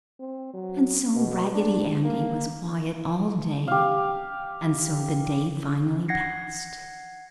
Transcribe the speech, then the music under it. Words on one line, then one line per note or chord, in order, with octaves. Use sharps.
And so Raggedy Andy was quiet all day, and so the day finally passed.
C4
F#3
B2
D4
A#3
G4 F5
F#5 G#6 A#6 C7 C#7